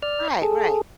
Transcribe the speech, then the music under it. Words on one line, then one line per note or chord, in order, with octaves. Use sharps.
Right, right.
D5 F6
G#4 A4